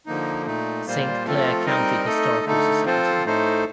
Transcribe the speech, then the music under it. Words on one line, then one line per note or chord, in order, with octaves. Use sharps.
Saint Clair County Historical Society.
D3 F3 A#3 D#4
A#2 A3 D#4
A#2 G3 A#3 F4 C5
F3 A3 C4 F4 A4
G3 C4 D#4 A#4 D#5
A3 D#4 A4 D#5
D3 A3 D#4 A4
F3 C4 F4 A4 C5
A2 A3 D#4 A4 C5